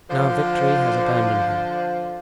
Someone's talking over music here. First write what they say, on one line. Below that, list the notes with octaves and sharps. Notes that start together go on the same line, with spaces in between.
Now victory has abandoned him.
D3 F3 F4 C5